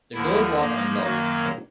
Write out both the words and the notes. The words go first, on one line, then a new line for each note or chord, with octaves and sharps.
The door was unlocked.
D#2 D3 F3 E4
G#2 F3 A#3
F#2 D#3 F#3 A#3 F#4